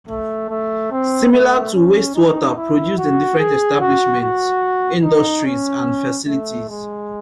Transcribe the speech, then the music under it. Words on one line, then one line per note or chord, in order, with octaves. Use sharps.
Similar to wastewater produced in different establishments, industries, and facilities.
A3
A3
C4
A3
C#4
D#4
E4
F#4
G#4
F#4
F#4
D#4
C#4
A3
G#3